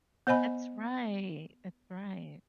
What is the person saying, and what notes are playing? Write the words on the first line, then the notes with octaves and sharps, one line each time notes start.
That's right, that's right.
B3 C5 D#5 G#5 B5